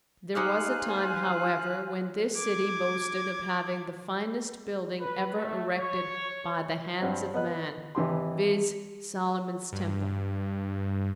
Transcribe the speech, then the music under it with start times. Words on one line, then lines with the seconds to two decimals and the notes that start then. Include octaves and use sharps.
There was a time, however, when this city boasted of having the finest building ever erected by the hands of man, viz: Solomon's Temple.
0.35 D#4 G4 G#4 C5 F5 G#5 F#6
2.37 D6 G#6
5.00 B4
5.35 A3
5.77 C#5
7.00 G2 C4 C#5 F#5
7.34 B3 D#5 F#6
7.95 G#1 E3 G4 C6
9.72 G2